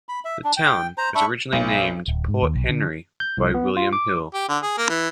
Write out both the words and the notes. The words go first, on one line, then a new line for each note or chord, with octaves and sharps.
The town was originally named "Port Henry" by William Hill.
B5
E5
D4
G5
C5 A#5
D4 E5 B5 C#6
B1
D1
G#2
D#2
B1
D3
G6
C2
B3
F4
D6
G4
D3
G#4
A#3
E3